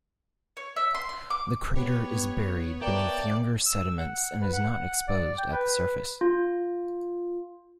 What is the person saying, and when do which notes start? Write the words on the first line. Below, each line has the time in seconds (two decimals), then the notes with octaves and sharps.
The crater is buried beneath younger sediments and is not exposed at the surface.
0.57 C#5
0.76 E5
0.95 C6
1.09 C6
1.30 D6
1.75 B3 G4 B4 C#5
2.81 A3 A#3 D5 G5 A5
3.66 E6
3.98 F#5
4.41 B4
4.53 F#5
4.70 F#5
5.08 D5
5.38 G5
5.52 B4
6.21 F4